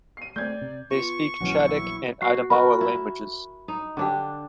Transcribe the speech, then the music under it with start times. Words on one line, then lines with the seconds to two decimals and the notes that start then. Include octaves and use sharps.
They speak Chadic and Adamawa languages.
0.17 C7 D#7
0.36 A3 C4 D5 G6 G#6
0.62 C3
0.91 B3 F4 C#6
1.40 A#1 E3 F#3 B3 C#4 F#4
1.65 E4
2.22 F#4 C7
2.50 F#4 A#4 B5
2.81 E4
3.68 D#4
3.97 D3 D4 G4